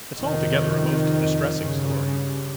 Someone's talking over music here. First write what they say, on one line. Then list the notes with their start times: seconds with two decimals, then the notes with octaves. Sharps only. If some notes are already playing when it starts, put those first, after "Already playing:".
It's altogether a most distressing story.
0.18 F2 C3 D#3
1.62 G2 C#3